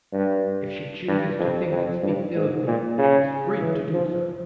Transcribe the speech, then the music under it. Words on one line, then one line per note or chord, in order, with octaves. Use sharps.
If she chooses to think and speak ill of me, she is free to do so.
G2
G2
F2
F2
G2
G#2
A#2
C#3
E3
F3